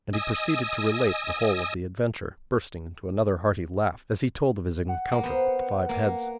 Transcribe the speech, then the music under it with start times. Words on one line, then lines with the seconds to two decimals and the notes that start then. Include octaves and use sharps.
And he proceeded to relate the whole of the adventure,--bursting into another hearty laugh as he told of his encounter with the five heads.
0.13 D#5 G#5 D#6 E6
4.89 F#5
5.12 A#3
5.23 B3 C5
5.89 A#3